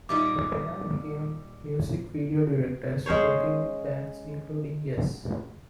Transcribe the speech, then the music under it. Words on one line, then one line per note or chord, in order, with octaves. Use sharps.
The pair became music video directors, working with bands including Yes.
A#2 G3 D#4 D6
G#3 C#4 C5 C#5